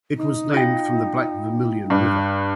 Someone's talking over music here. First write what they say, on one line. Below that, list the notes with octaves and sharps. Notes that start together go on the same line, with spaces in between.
It was named from the Black Vermillion River.
D#4
F4 G5
G2